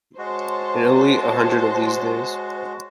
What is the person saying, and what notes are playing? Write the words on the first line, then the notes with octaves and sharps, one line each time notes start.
In Italy, A hundred of these days!
G#3 F#4 C5 C#5 A5